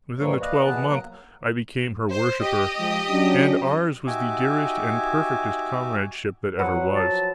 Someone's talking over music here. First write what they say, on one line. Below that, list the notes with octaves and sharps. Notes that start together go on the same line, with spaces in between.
Within the twelvemonth I became her worshiper; and ours was the dearest and perfectest comradeship that ever was.
G#2 E3 F3 G3 A#3 C#5
B4 D5 D#5 F5
B2 E3 B3 G#4 B4 A5
F#3 A#3 A#5
C5
G4 D#5
F3 G#3
F#3 C#4 D4
D#4 F#4 G4 E5 G#5 D6
F3 F#3 B4 F#5
A5